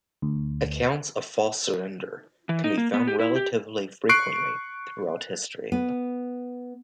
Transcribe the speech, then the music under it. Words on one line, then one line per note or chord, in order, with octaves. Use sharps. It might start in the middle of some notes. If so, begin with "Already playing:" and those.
Accounts of false surrender can be found relatively frequently throughout history.
D2
E3
D#4
A#3
B3
G4
E4
G4
C#6 F#6 C7 D7
B3